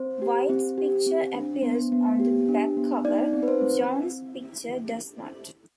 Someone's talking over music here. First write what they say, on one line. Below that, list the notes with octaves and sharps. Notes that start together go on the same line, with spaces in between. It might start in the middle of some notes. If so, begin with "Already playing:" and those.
White's picture appears on the back cover; Jones' picture does not.
Already playing: C4 C5
G4
C4
G4
C4
D4
B3
B3
G4
D4
B3
D#4 D5
C4
B4
C5
C4